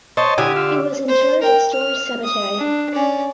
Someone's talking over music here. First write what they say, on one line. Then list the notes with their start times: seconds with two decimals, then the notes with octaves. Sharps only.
He was interred at Storrs Cemetery.
0.17 C5 C#5 D#5 A5
0.38 D3 E4 G4 G#5 D#6
0.56 F4 E5
1.08 C5
1.42 A#4 G5
1.73 F6
2.24 D#6
2.58 D4
2.92 C#4 D5